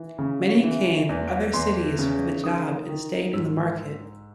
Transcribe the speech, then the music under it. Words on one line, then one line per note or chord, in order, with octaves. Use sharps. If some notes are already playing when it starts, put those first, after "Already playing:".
Many came from other cities for the job and stayed in the market.
Already playing: E3
C#3
E3
E2
E2 C6
C#3
D#3 D#6
D#3
G#2 E6